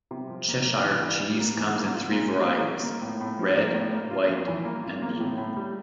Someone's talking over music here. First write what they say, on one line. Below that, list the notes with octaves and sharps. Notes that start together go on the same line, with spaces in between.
Cheshire cheese comes in three varieties: red, white and blue.
C3
F3
A#3
A#3
E3
E3
G3
A#3
E3
A#3
F4
A#2
G3
A#3
F4
A#3
A2
A2
F3
A#3
A2
A#3
F4
F2
E3
A#3
F4
A#3
A2
A2
G3